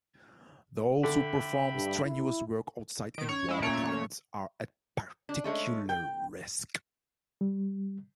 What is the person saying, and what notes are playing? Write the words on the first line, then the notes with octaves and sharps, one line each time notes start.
Those who perform strenuous work outside in warm climates are at particular risk.
D3 E5 G5 B5
G2
E4
D#3 D7
C#4 C#5
G#3 E4
A#2 A3 A#3 C#4 C#5
D4
G#3 A3 C#4
G5
G3